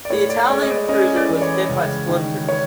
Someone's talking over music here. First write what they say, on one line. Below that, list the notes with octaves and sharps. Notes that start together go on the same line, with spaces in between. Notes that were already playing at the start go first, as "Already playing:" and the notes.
The Italian cruiser was hit by splinters.
D5
A2 C#5
D5
G#3 C#5
D#5
D5
C#4 D#5
D5
E3
C#5
C#2
D#3
C#5